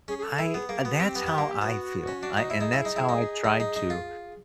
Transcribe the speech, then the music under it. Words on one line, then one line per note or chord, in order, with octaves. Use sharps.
I that's how I feel, I and that's how I tried to
C#4 G#4
G#4
A4
E4
G#4
B3
A#3 G#4
G4
B3 F#4
C4 G4
B3
B3
A#3
B3 F#4
C#4
D4
D#4
E4 G#4
D#4
E4
D#4
E4
D#4
D#4
D#4
D#4
F4